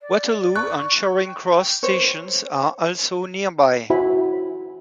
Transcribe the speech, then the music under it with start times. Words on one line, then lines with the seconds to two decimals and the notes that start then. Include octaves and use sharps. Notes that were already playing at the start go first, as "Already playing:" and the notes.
Waterloo and Charing Cross stations are also nearby.
0.01 D5
0.56 C#6 F#6
1.26 G5
1.83 C5 C#5
3.90 E4 F#4 C5 E5 G#5 B5